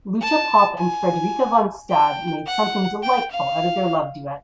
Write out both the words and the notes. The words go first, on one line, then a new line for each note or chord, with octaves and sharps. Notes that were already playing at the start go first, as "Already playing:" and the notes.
Lucia Popp and Frederica von Stade made something "delightful" out of their love duet.
A5
G#5
G5
F#5
G5
F5